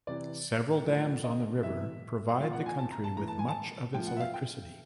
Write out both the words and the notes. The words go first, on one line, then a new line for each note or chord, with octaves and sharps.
Several dams on the river provide the country with much of its electricity.
C3 E3 D5
A2 F3
D#5
C3 E3 E5
A#2 F3 F5
F#5
G#5
A5
A#5
A5
A2 E3 A#5
A5
G#5
A5
A2 F3 G5
F#5
E5
F5
G5